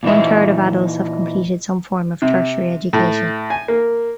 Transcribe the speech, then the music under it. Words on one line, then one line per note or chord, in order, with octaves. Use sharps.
One third of adults have completed some form of tertiary education.
A#2 E3 D#4 E5
C3
A2
G#5
A#3